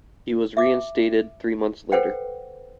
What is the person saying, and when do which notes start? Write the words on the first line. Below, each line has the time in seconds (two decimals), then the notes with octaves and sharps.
He was reinstated three months later.
0.57 E5 D6
1.92 A4 B4 C5 F#5 G5